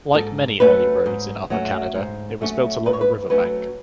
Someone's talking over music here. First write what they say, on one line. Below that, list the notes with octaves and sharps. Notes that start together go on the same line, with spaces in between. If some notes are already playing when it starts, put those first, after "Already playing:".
Like many early roads in Upper Canada, it was built along a river bank.
G#2 A4
F#3 A3 C#4 B4
G#2
F#3 A3 C#4
G#2
F#3 A3 C#4
G#2 B4
C#5
B4
F#3 A3 C#4 B4